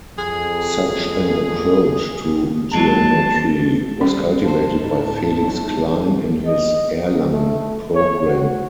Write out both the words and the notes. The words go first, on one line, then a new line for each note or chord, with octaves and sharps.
Such an approach to geometry was cultivated by Felix Klein in his Erlangen program.
F2 G#4
F#3 G#3 A5
G3 C4 C#4
F4 C5 A5
A2 D#4
B1 A3
G#2
D#5
F#3
A3
C#5
F#4